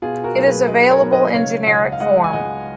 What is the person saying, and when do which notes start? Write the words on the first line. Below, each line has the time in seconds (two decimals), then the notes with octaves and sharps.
It is available in generic form.
0.02 B2 F4 G#4
0.24 F#4 A#4
0.35 B1
0.46 G#4 B4
0.68 F#3 B4 D#5
0.90 A#4 C#5
1.01 B1
1.12 B4 D#5
1.34 C#3 C#5 F5
1.67 C#2 D#5 F#5
1.92 F5
2.00 G#3 D#5 F#5
2.24 G#5
2.33 C#2 D#5 F#5